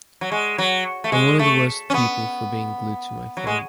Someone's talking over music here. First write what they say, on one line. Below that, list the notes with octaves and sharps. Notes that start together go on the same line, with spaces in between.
I’m one of the worst people for being glued to my phone.
F#3
G#3
F#3
A3
G#3
A3
C#4
B3
F#3
G#3